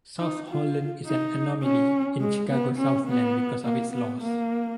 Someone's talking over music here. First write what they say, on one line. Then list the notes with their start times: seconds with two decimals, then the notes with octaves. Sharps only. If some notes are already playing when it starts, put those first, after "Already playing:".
South Holland is an anomaly in Chicago Southland because of its laws.
0.19 D#4
0.49 F4
1.06 D#4
1.63 C#4
2.20 G#3
2.49 B3
2.78 C#4
3.07 B3
3.64 A#3
3.92 B3
4.21 A#3